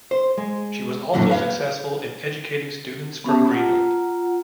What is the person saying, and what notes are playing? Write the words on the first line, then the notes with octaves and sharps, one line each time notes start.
She was also successful in educating students from Greenland.
C5
G#3
F#2 A#2 D3 E3 F#3
B4 F5
B3 C#4 G4 E5 A5
F4 F#5 A#5